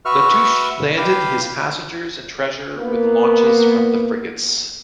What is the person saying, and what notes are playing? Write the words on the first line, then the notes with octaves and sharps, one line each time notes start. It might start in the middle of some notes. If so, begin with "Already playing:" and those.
Latouche landed his passengers and treasure with launches from the frigates.
F#4 B4 E5 C#6 F6
G4 B4 F5
A#3 B3